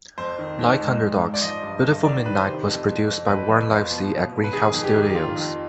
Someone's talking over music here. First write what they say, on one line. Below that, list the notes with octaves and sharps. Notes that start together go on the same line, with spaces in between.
Like "Underdogs", "Beautiful Midnight" was produced by Warne Livesey at Greenhouse Studios.
F2 C5
D#3
F2
G#2
G#2
G#2
D5
F3 D#5
G2
G2
D#3 D5
D#3 B4
C5
C3
F2
F2
F2
F2 B4
F2
F3
B2
B2
B2
B4
D#3 G#4
F2
G4
D#3
D#3 F4
F2